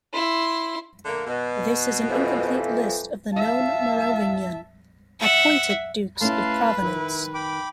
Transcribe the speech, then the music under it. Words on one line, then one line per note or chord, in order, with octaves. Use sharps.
This is an incomplete list of the known Merovingian-appointed dukes of Provence.
E4 C6
D3 A3 A#3
B2
F2 E3 F3
E5 F5 A5
E5 F#5
A3 C#4 E4 B4 F5 A5 C6
D#3 E4
G5 B5 D6